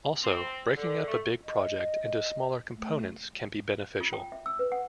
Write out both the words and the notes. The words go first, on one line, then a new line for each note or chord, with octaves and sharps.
Also, breaking up a big project into smaller components can be beneficial.
C4
D3
A3
D#5
A3
F4
G5
E5
E6
B4
F#5